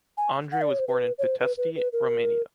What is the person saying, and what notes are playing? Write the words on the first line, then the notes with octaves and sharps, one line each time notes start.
Andrei was born in Pitești, Romania.
G#5
F#5
D5
C#5
C5
B4
C#5
C5
B4
B4
B4
A#4